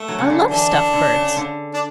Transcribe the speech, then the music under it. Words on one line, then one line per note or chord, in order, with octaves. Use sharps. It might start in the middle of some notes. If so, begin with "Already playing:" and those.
"I love stuffed birds."
Already playing: A3
F#3
C#3
D3
E3 D4
D3
D3
C#3
D3
D4